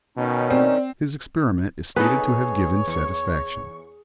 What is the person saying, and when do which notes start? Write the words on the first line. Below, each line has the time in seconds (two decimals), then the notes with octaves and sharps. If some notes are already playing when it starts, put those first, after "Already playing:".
His experiment is stated to have given satisfaction.
0.17 B2 D#3 C#4 D#4
0.50 C4 D5
1.96 B3 D#4 G#4 A4 B4 C#5
2.87 E2 C#6